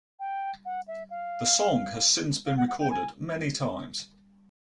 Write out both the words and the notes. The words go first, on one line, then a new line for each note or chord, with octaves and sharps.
The song has since been recorded many times.
G5
F#5
E5
F5
F5
F#5
F#5
G5
G#5